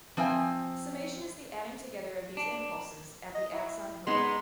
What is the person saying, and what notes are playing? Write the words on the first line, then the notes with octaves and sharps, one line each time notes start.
Summation is the adding together of these impulses at the axon hillock.
F3 C4 E5 G#5
D4
D#5
E4
G#3 B3 D#4 C6